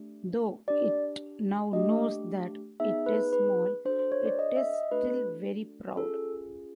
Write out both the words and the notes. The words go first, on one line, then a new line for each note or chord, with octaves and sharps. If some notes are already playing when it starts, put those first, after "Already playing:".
Though it now knows that it is small, it is still very proud.
Already playing: A3 D4 G4
D4 G4 D5
A3 D4 G4 D#5
B3 D#4 G#4 E5
B4
B4
D4 F#4 A4 C5
C5
C#5
D5
D#5
E5
D#5
A3 D4 F#4 A4 B4
C#4 F4 G#4 A4